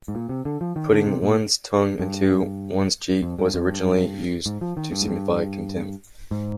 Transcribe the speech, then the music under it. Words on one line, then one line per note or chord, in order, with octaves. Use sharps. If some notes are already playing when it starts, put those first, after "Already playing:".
Putting one's tongue into one's cheek was originally used to signify contempt.
G#2
A#2
C3
D3
F3
D#3
D3
C3
A#2
G2
F2
G2
F2
G2
G#2
F3
D#3
G2
G#2
G2
G#2